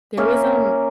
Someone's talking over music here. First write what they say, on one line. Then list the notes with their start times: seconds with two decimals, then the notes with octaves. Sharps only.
There was, um
0.17 A#3 C#4 A#4 E5